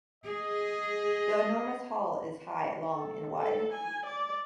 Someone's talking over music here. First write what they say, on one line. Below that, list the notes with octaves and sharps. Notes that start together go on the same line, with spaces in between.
The enormous hall is high, long and wide.
G#4 D#5
A4
A4
G#5
D5